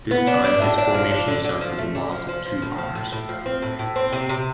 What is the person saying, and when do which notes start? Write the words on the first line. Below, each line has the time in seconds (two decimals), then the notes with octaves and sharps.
This time his formation suffered the loss of two bombers.
0.11 B3
0.27 D4
0.44 D4
0.61 A2
0.78 D4
0.94 F3
1.11 D4
1.28 D3
1.44 D3
1.61 F3
1.78 A3
1.95 D3
2.12 F3
2.29 F3
2.45 F3
2.62 A2
2.78 F3
2.95 A2
3.12 A2
3.29 F3
3.46 C4
3.62 A2
3.79 A2
3.96 C4
4.13 C3
4.29 C3